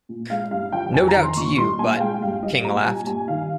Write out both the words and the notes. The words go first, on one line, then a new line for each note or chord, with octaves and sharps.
"No doubt, to you, but — " King laughed.
A#2
G#3 F5
G2 F5
F3 G5
F2 G#5
A#5
D#3
C6
A#2 C#6
G3 C6
A#2 G#5
F5
G#3 G5
G2 F5
G3 D#5
A#2 A#5
G3 G#5
G2 G#5
D#3 F5